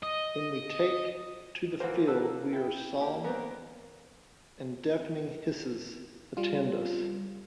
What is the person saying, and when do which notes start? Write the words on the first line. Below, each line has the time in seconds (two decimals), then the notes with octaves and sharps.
When we take to the field we are solemn and deafening hisses attend us.
0.02 D#5
1.80 E3 A#3 F#4 A#4 C5
2.07 A4 B4 E6
2.53 E4 G5
3.00 A#3 G4
3.24 B3 C4 A#4
6.37 G3 F4